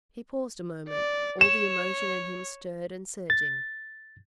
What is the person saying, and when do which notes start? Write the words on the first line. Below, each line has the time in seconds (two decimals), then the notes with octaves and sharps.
He paused a moment, all the emotion in him stirred and surging.
0.88 D5
1.41 C#5 E7
3.30 A6